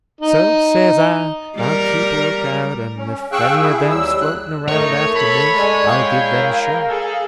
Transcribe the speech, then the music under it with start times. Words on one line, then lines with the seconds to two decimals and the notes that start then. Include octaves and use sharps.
So, says I, I'll keep a lookout, and if any of them's floating around after me I'll give them a show.
0.21 D#4
1.57 G3 A#4
2.97 C#4
3.32 G#4 F5 G5 C#6 E6 F#6
3.60 E4 G#4
3.91 D#2 F#3 G3 E6
4.21 F#6
4.68 A3 D#4 A#4 C#5
5.15 A4 B5
5.56 G#3 D5 G#5
5.88 E4 G#4 F5 G5
6.28 A#4
6.88 G#4 A4